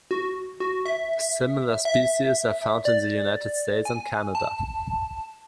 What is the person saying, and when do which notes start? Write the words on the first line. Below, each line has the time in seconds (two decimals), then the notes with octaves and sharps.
Similar species are found in the United States and Canada.
0.11 F#4
0.60 F#4
0.85 E5
1.85 E5
2.85 D5
3.85 G#5
4.35 A5